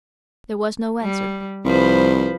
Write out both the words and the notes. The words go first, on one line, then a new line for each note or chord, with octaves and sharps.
There was no answer.
G3
C2 F3 B4 C5